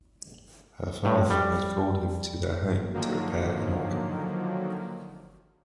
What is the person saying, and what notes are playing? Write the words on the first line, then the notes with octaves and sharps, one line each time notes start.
Her father had called him to their home to repair an organ.
A2
G3
D3 D#3 F3 F#3 A#3